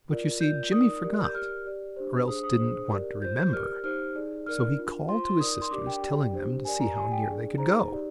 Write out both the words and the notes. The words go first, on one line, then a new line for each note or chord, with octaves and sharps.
But, you see, Jimmie forgot, or else didn't want to remember, so he called to his sisters, telling them to see how near they could go.
F4 A#4 D5
F4 A#4 D5 G6
D#4 A#4 D5 D#6
G4 A#4 D5
G6
G4 A#4 D5 F6
G4 D5
D4 G4 C5
D4 G#4 C5 D#6
D#6
D4 G#4 C5
G4 A#4 D5
F4 C5 G6
G6
G4 A#4 D5 F6
D#4 G4 C5 F6
D#4 G#4 D5
D#4 A#4 D5 F6
D4 F4 A#4
F4 C5 C6
C6
D#4 A#4 D5 D#6
C6
D4 G4 A#4 D5 D6
G5
G4 D5
D4 G4 C5
G4 A#4 D5 G#5
A#5
G4 D5 G#5
G5
D4 G#4 D5
D#4 G#4 C5 A#5
D#4 G4 D5